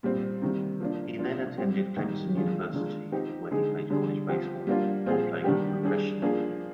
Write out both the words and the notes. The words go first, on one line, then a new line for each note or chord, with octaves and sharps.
He then attended Clemson University, where he played college baseball, before playing professionally.
A#2 G3 C4
C3 D#3 G3
F3 A#3 D4
F3 A#3 D4 F4
G3 C4 G4
D#3 G3 A#3 D#4 G4
D#3 G#3 D4 F4 G#4
D#3 G#3 D4 F4
F3 C4 D#4 G4
D3 G#3 D#4 G#4
D3 G3 D4 G#4
F3 C4 G4
G3 A#3 D4 F4
A#2 F3 C4 F4 G#4
D#3 G3 D4 G4
G3 D4 G#4
F3 A#3 D4 G#4